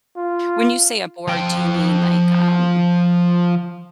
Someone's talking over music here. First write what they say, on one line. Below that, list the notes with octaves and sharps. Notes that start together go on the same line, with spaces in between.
When you say a board, do you mean like, um,
F4
F3 G5